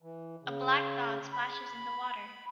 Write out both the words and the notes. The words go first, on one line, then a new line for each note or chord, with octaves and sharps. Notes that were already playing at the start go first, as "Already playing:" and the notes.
A black dog splashes in the water.
E3
C#3
B5